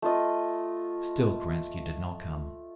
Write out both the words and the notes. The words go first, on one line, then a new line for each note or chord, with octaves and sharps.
Still Kerensky did not come...
A3 F4 D#5